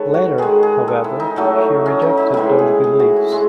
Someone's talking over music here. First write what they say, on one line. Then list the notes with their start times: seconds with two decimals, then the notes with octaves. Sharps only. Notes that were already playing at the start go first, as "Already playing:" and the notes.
Later, however, she rejected those beliefs.
Already playing: D#3 G#3 A4 B4 C#5
0.14 F#4
0.38 D#3 G#3 G#4
0.63 G#4
0.88 A4
1.04 E4
1.20 D#4
1.36 A2 F#3 A3
1.86 C#4
2.02 D#4
2.17 D#4
2.34 A2 E3 G#3 E4
2.59 G#4
2.84 G#4
2.99 F#4
3.16 E4
3.32 G#3 E4